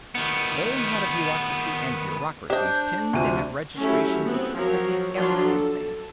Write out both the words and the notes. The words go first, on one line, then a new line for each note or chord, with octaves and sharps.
They had a bureaucracy, and bureaucracies tend to have registrations of practically everything.
D#3 B3
D4 G4 C5 D#5
D2 C3 D#4 F4 C5 D#7
F#3 A3 C#4 E4 G4 E5
B3 C4
F3 F#3 F#4 A#4 C#5
F3 F#3 D4 F4 C#5 C6
A4